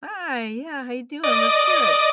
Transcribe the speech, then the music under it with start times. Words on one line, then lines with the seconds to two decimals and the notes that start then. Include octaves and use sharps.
Hi, yeah, how you doing? Let's hear it.
1.24 D5 D#5